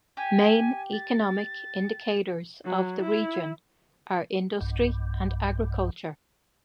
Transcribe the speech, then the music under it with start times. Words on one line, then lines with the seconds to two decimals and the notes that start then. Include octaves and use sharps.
Main economic indicators of the region are industry and agriculture.
0.17 G4 G#5
0.93 A6
2.65 F#3
3.02 E4
4.61 B1 G2